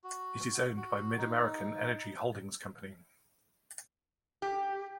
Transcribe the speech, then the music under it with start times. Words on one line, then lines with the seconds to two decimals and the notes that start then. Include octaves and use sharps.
It is owned by MidAmerican Energy Holdings Company.
0.04 F#4
0.76 F#4
1.18 D#4
4.42 G4